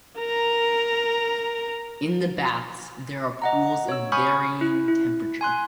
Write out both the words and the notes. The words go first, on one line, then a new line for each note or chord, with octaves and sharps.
In the baths there are pools of varying temperature.
A#4 A#5
D#5 F#5 A#5
C#5 E6
G#5 B5 C#6 D#6 F6 G6
E4
E4
G#5 C6 F#6